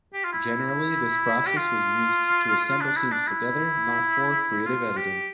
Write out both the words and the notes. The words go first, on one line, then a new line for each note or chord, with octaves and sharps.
Generally this process was used to assemble scenes together, not for creative editing.
G4
F4
E4
G4
F4
D4
E4
D4
E4
F4
G4